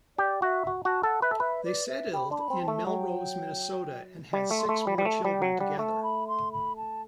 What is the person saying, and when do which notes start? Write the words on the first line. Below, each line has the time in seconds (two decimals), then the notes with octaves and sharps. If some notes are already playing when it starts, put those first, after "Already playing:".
They settled in Melrose, Minnesota and had six more children together.
0.18 G4 D5
0.42 F#4 E5
0.67 F#4
0.85 F#4 A5
1.03 A4 F#5
1.22 B4 E5
1.31 A4
1.40 B4 E5
1.64 D5
1.88 E5
2.13 G4 B5
2.31 D4 C6
2.38 B5
2.50 C4
2.62 A5
2.68 A3
2.87 F#3 G5
4.33 G3 G5
4.51 A3
4.58 C6
4.69 A3
4.81 B5
4.87 G3
4.98 G3
5.05 A3 A5
5.25 G3
5.30 G5
5.42 F#3
5.54 F#5
5.60 G3
5.78 A3 A5
6.03 B5
6.28 C6
6.52 B5
6.77 A5